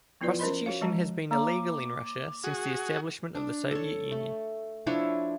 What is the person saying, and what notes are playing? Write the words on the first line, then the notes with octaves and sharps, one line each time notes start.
Prostitution has been illegal in Russia since the establishment of the Soviet Union.
F3 B3 E4 F4 B4 D5
C#4 A#4 C5 D#5 B5 C6
F#4 C#5 F5
F3 G#3 A5 A#5
A#3 C#5 A#5 D6
F#4 G#4
D4
A4 C#5
A3
F3 D4 E4 C#5